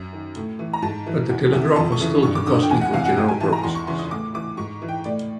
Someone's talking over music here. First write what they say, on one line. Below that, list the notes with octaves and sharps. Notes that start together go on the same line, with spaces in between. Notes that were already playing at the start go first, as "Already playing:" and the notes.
But the telegraph was still too costly for general purposes.
Already playing: F#2
D#3
A2
E3
A#5
G#2 A5
E3
E2
C3 E3
F2 A5
C#6
C#3 E3
G2 C#6
D6
D3 D#6
G5
E2 G#5
F#5
C3 E3 F5
F#5
G#2 G5
G#5
E3 A5
A#5
E2 C6
C#6
C#3 E3 C6
D#6
A2 D6
E3 D6
G#2 C#6
E3
G5
A2 D5